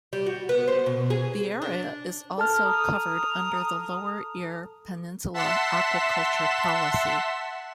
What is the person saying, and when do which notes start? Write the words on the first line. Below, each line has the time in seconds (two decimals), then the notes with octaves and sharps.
The area is also covered under the "Lower Eyre Peninsula Aquaculture Policy".
0.13 G3
0.26 F#4
0.49 B3
0.67 C5
0.86 B2
1.10 G#4
1.62 D4
2.38 A4 A5 F6
2.64 A#5 D#6
5.34 E5 F#5 A5 C6 B6 E7